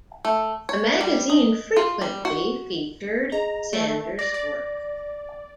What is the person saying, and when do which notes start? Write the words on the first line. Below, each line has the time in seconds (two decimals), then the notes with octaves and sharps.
The magazine frequently featured Sanders' work.
0.25 A3
0.69 C#5
1.01 G3
1.30 D#5
1.77 F4
2.01 G3
2.25 F#4
3.32 G#4 D#5 A#5
3.73 A3
4.19 D5 A#6
4.34 D5